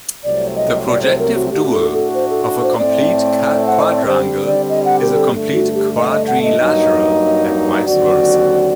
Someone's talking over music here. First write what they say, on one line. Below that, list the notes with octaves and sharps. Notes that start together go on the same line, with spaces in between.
The projective dual of a complete quadrangle is a complete quadrilateral, and vice versa.
C2 C3 F#3 A3 C4 D5
D#5
D5
C5
A#4
F#4
A2 A3 D4 F#4 G4
A4
A4
C5
A4
C5
A2 A3 C4 D5
F#5
D#5
D5
D3 G3 C4 G4 C5
D5
D#5
F#5
A#4
A#4
A4
G2 D3 A3
F#4
G4
D#5
D#5
F#5
D#5
G2 F#3 A#3 D#4
D#2 D3 F#3 C4 F#4 D5